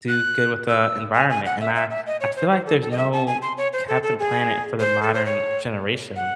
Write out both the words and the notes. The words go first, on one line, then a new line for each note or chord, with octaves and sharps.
"do good with the environment." And I I feel like there's no Captain Planet for the modern generation
F#6
E6
G#5
G#5
F#5
E5
E5
E5
D#5
C#5
C5
C5
A4
A4
D#5
E5
A5
G#5
C6
C#5
C5
A4
A4
G#4
C5
A4
C5
C#5
F#5